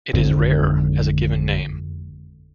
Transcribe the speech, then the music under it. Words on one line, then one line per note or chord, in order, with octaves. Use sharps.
It is rare as a given name.
G#1 F2 G#2 D3